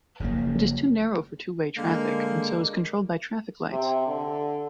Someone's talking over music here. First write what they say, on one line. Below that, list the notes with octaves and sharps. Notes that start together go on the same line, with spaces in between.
It is too narrow for two-way traffic, and so is controlled by traffic lights.
F#1 C#3 F3 A#3
D3 G#3 A#3
C3
D3